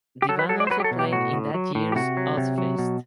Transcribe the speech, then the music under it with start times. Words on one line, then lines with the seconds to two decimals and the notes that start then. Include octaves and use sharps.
The band also played in that year's Ozzfest.
0.22 G4
0.29 F#3 A4
0.39 B4
0.49 F#3 A4
0.60 D5
0.67 C5
0.70 F#3 B4
0.80 G4
0.84 A4
0.91 B2
0.99 G4
1.12 A2 F#4
1.33 A2
1.54 F#3
1.75 A2
1.92 G4
1.95 C3 F#4
2.17 F#3
2.37 C3
2.58 F#3
2.79 B2